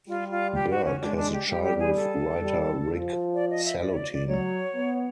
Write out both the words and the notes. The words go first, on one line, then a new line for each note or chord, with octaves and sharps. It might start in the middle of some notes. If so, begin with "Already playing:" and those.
Burke has a child with writer Rick Salutin.
G3 F4
F4
G4
F#4
C#4
G#3 D4
D4
G4
G3 G4
G4
G#4
A4
G3
F3
D5
D#5
E5
D5
C#5
D5
D5
F#3 C#5
B3